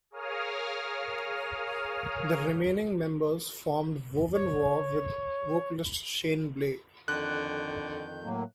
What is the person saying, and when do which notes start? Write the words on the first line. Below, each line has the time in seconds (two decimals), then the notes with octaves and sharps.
The remaining members formed Wovenwar with vocalist Shane Blay.
0.11 G#4 A#4 C#5 F5 D#6 F6
4.35 C#5
7.08 F2 D3 D#3 F#6 G6
8.24 A2 F#3 A#3